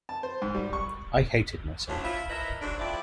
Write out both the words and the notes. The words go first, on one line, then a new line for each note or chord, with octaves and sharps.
I hated myself.
A5
C5
G#2
G3
C#6
D2 A2 F3 F#3 C#4 D4
E4 F4
F3 E4 A#4 B4 D#5 E5
G#2 D3 F#3 D4
F2 E4 D5